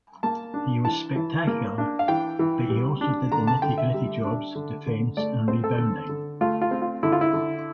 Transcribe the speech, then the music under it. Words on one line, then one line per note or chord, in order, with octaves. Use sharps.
He was spectacular, but he also did the nitty gritty jobs, defense and rebounding.
A#3 A5
D4
E3 A5
E3
A#3
D4
F5
E3 G5
E3
G3
D4
D3 A#5
A5
D3 G5
E5
G3
D4
D3
D3
A3 D5
C4 C5
A4
D3
D3
A3 F4
F4
C4
F4
D3 E4
F4
E4
D3